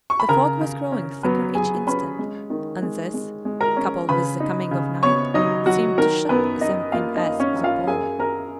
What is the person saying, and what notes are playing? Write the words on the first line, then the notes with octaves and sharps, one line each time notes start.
The fog was growing thicker each instant, and this, coupled with the coming of night, seemed to shut them in as with a pall.
C#6
B5
C#3 A#4 A#5
C#3
C#4
F#3 B3 B4
F#3 G#4 G#5
C#4 B4 B5
G#3
D#3
G#3
G#3
G#3
A#4 A#5
C#4
C#3 B4 B5
D#4
C#3
B3 C#5 C#6
F#3 D#4 D#5
F#3 F#4 F#5
D#3 A#4
F#2 B3 B4
F#2 D#4 D#5
A#3 F4 F5
D#4 D#5
F#2
C#4 C#5
F#2
F4 F5
F#2 G#4 G#5
F#2 A#4 A#5